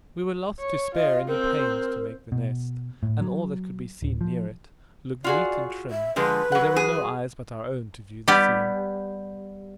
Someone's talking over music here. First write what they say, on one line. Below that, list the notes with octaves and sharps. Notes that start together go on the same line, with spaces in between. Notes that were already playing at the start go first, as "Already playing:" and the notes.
We were loth to spare any pains to make The Nest, and all that could be seen near it, look neat and trim, though there were no eyes but our own to view the scene.
C#5
F4 D#5
C4 A#4
B2
A2
F#3
D1
F3
F4 F#4 G#4 D5
E5
D3 F3 G#3 B4
F#3 F#5
G#4
G3 B3 G4